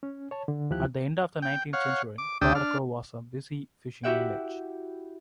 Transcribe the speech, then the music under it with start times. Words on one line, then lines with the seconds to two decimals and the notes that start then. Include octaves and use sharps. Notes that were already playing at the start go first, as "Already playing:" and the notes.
At the end of the nineteenth century, Badachro was a busy fishing village.
0.03 C#4
0.31 C#5 A5
0.48 D3
0.70 D#2 F3 E4 G4 F#6
1.42 G5
1.73 C#5 F5 F#5
2.18 D6
2.41 D2 D4 G4 G5 D#6 E6
2.55 D4 F6
4.03 E4 F#4 G4 E5 F#5 G5